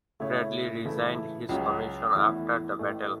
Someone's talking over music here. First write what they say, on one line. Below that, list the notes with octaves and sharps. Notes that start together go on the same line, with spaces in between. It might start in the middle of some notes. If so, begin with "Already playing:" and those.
Bradley resigned his commission after the battle.
C#3 A3 E4 C#5 E5
C#3 E3 A3 E4 A4
C#2 C#3 F#3
E2 E3 A3 E4
A1 A2 A3